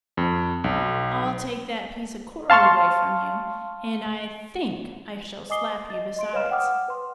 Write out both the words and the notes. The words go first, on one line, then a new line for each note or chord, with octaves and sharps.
"I'll take that piece of coral away from you, and I THINK I shall slap you besides!"
F2
B1
F5 A5 C6 C#6 F6
D#5 G#5 D6 D#6 C7 G7
D#5 A6
D#5 C6 D7
B4 C#5 D#5 F5 F6 E7
F#5 G5 D6 D#6 F6
B4 C6